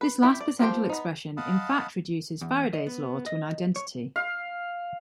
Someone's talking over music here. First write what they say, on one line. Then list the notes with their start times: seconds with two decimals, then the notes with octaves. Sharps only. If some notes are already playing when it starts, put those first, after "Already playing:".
This last potential expression in fact reduces Faraday's law to an identity.
0.01 B4
0.23 E4 G4 E5
0.41 D5
0.59 F3 F4 G4 C5 G5
0.89 B3 D#4
1.37 D#5 F5 F#5 A5 B5 D#6
2.41 E2
2.73 D#5
2.87 B3
3.26 D#5
3.76 C#5
4.16 F5